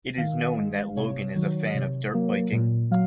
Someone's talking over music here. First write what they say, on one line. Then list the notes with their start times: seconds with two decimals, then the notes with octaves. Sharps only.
It is known that Logan is a fan of dirt biking.
0.18 D#3 F5
0.57 G#3
0.96 C3 C#5
1.35 D#3 F#3
1.75 C3
2.14 F#3 A#3
2.52 A#2
2.91 F#3 F5